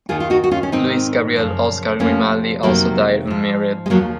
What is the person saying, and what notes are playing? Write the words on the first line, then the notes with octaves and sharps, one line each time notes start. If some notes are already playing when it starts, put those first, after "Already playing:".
Louis-Gabriel-Oscar Grimaldi also died unmarried.
D#2 D#3 F4 G#4
F4
D#4 F#4
F#4
C#4 F4
C#4
G#2 D#3 C4 D#4
F#2 C#3 F3
F2 C3 F3 A#3 C#4
F2 C3 D#3 F#3 A#3
G#2 F3
G#3
D#2 C#3 F3 F#3 A#3